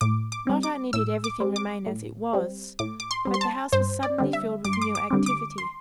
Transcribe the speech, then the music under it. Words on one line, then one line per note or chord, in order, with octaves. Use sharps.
Not only did everything remain as it was, but the house was suddenly filled with new activity.
A2 D6
D6
G3 C4
D6
A2 E6
D6
G3 C4
D6
A2
G3 C4
A2 D6
D6
C6
G3 C4
C6
A5
G2 C5
D5
D3 G3 C4
E5
G2 D6
C6
D6
D6
D3 G3 C4
D6
C6